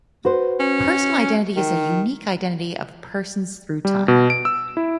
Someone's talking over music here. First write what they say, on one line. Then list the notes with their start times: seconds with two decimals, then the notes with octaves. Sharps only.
Personal identity is the unique identity of persons through time.
0.25 F#4 B4 C5
0.60 C#4
1.56 D#3
3.85 G3
4.08 B2
4.30 D7
4.45 E6
4.77 E4